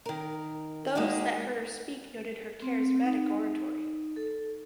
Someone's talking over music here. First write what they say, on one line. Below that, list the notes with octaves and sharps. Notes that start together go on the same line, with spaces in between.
Those that heard her speak noted her charismatic oratory.
D#3 A#4
G#3 A#3 D#4 F#4 G4
C4
D#4
A4